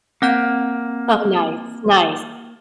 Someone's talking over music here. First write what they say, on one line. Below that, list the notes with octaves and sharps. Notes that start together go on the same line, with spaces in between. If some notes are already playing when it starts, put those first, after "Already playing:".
Oh, nice, nice.
A#3 C4 F#5 G6